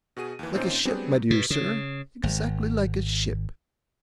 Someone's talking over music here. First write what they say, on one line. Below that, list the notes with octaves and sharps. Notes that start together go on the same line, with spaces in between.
'Like a ship, my dear sir,--exactly like a ship.
B2 F#4 G#4 D#7
D#2 E3
A#2 C4 C#4 D#4 C5 G6
F#3 G3 B3 C4 D4 G#4
B2
C#3
G#1